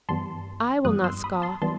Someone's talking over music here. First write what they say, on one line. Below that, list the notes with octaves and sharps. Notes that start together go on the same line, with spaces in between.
I will not scoff.
G2 E3 G3 B3 A5 C6
G2 E3 G3 B3 D#6 F#6
C6 E6
B5 D#6
A5 C6
E3 G3 B3 A5 C6